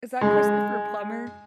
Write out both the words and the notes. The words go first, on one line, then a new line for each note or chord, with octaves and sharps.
Is that Christopher Plummer
G#3